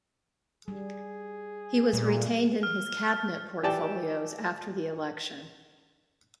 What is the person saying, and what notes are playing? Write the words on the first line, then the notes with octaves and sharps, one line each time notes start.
He was retained in his cabinet portfolios after the election.
G3 G#4
A#2 G3 A3
F6
E3 G4 D5 G5 A5